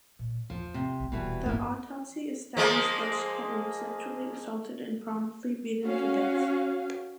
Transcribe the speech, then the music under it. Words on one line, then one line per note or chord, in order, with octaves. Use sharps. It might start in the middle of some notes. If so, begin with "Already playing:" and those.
The autopsy established that she had been sexually assaulted and promptly beaten to death.
A#2
E2 E3 F3
C3
A#1 B3
D#1 B1 B2 E3 G3
G2 C#3 E3 A#3
F3 G#3 A#3
C#4 F#4 F5